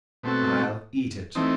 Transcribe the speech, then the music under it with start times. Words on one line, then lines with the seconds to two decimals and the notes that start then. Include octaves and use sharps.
"I'll eat it."
0.23 B2 A3 C4 F#4 A4
1.35 E3 A3 C4 D#4